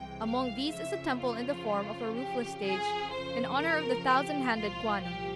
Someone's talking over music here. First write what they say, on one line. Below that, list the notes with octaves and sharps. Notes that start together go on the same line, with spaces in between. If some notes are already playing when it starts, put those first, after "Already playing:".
Among these is a temple in the form of a roofless stage, in honour of the thousand-handed Kwannon.
Already playing: C2 C3 E3 G#3 G5
F5
F2 C#3 F3 E5
F4
G4
F2 C#3 F3 G#4
C5
A#4
G4
C2 A#2 F3 F4
G4